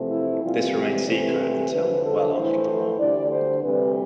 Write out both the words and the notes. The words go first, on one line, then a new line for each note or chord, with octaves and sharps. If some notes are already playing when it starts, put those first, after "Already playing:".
This remained secret until well after the war.
Already playing: E2 C3 F3 A3
E4
E2 C3 E3 G3 F4
E2 C3 E3 A3 C5
E2 D3 F3 B4
A4
A2 E3 A3 C5
D2 D3 G3 D5
C5
D2 C3 E3 G3 B4